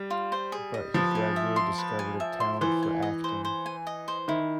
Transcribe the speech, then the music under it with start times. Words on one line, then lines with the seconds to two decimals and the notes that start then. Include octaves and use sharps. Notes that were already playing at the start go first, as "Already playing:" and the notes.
But he gradually discovered a talent for acting.
Already playing: G3
0.10 F4
0.32 C5
0.52 G#4
0.74 D#5
0.94 F3 B4
1.15 G#5
1.36 E5
1.56 C6
1.78 B4
1.99 G#5
2.20 E5
2.40 C6
2.61 E3 C5
2.83 G#5
3.02 D#5
3.24 C5
3.45 C5
3.66 G#5
3.87 D#5
4.08 C5
4.28 D#3 E4